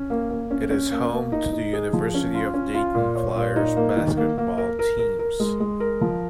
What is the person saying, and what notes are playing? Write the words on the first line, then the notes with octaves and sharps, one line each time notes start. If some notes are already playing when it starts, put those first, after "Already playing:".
It is home to the University of Dayton Flyers basketball teams.
Already playing: C#4
A#3
A#3
C#4
C#4
A#3
A#3
D#4
D#4
G#4
F3
C#4
F4
C#4
F4
A#2
C#5
A#2
D#4
A#3
D#3
A#3
A#3
A#4
A#4
A#4
A#4
G#3
G#3
A#4
F3